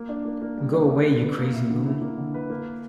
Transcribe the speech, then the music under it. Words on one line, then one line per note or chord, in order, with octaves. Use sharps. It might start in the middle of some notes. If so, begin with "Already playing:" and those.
Go away, you crazy loon!
Already playing: A#3
D4
A#3
A#3
G3
D4
D3
D3
B4
A#3
E4
D3
E4
A#3
D3
B4
A#3